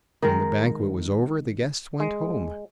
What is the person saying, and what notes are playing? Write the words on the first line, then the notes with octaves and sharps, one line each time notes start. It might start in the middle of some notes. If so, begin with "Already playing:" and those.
When the banquet was over the guests went home.
D#3 G#3 A#4
G#3